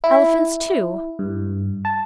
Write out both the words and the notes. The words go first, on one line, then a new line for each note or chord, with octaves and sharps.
Elephants, too!
E4
G2
A5